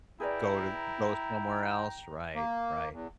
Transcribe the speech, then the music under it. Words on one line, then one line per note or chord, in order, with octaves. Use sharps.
Go to go somewhere else, right, right.
E4 G#4 B4 D5 G5 A#5
A#3
E2